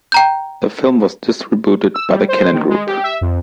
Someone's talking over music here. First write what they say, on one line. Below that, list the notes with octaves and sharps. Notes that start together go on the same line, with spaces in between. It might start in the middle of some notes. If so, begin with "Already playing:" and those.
The film was distributed by the Cannon Group.
G5 A#5 G6
E6
G3
C5
D#3
G#3
G4
E5
F2